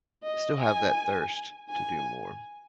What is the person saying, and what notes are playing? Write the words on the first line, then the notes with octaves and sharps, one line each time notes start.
still have that thirst to do more.
D#5
G#5
G#5